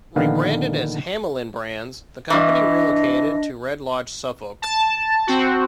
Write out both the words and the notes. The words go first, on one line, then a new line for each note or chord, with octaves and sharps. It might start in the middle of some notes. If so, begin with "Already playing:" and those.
Rebranded as "Hamelin Brands", the company relocated to Red Lodge, Suffolk.
A#1 D3 D#3 B3 B4 F5
G2 E3 D4 D#5
A5
C4 F#4